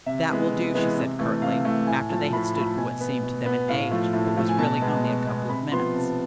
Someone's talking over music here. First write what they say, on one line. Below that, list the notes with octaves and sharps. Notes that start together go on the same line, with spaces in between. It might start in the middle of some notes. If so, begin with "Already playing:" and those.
"That will do," she said curtly, after they had stood for what seemed to them an age, but was really only a couple of minutes.
C3 E5
E3 G#3 B3
C3
E3 G#3 B3
C3
E3 A3
C3 F5
E3 A3
A2 G#5
F3 A3 A5
A2 B5
B5
F3 A3 B5
B5
B2 G#5
B3
B2
B3
A2 F5
F3 A3
A2
F3 A3
G#5
B2 A5
G#3 B3
B2
G#3 B3
C3 B5
F3 B3 C6
C3 A5